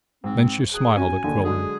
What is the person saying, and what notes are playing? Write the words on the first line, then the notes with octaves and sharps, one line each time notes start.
Then she smiled at Quillan.
G#2 C4
G#4 F#6
C#4 F#4 G#5
D#2 D3
D3 F#3 G#3 G#4